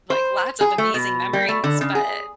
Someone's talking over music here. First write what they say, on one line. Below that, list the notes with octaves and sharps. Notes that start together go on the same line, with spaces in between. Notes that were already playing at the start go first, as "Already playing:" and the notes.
like, lots of amazing memories. But,
C5
G#4
A3
B2
G3
A3
D3
C#3
G#4